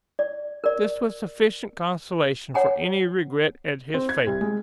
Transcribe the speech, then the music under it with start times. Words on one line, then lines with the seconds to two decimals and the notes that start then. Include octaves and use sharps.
This was sufficient consolation for any regret at his fate.
0.19 D5
0.64 A#4 D5
2.54 C#5 F#5 G#5 A#5
3.94 C4
4.09 G#6
4.27 C2
4.41 G#3